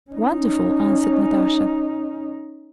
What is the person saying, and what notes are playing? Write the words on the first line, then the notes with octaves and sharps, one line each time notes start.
"Wonderful!" answered Natasha.
C#4 D#4